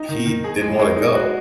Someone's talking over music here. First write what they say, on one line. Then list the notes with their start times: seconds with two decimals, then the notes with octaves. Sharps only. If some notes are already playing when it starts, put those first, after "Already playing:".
he didn't wanna go.
Already playing: D#4
0.09 D#3
0.26 D#3
0.44 G#4
0.62 G#3
0.79 G#3
0.96 D#4
1.14 F#4